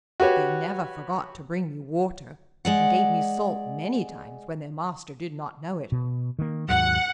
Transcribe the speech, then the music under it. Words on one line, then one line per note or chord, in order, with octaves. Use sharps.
They never forgot to bring me water and gave me salt many times when their master did not know it.
F#4 G4 B4 C#5
G#3 D5 F#5
B2
D#3 A#3
D#2 G#2 F#3 F#5